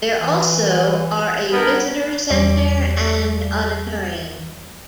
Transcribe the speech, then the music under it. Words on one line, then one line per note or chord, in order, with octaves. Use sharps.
There also are a visitor center and auditorium.
E3
G2 B3 A#4
E2 F#3 G3 C#5 D5 D7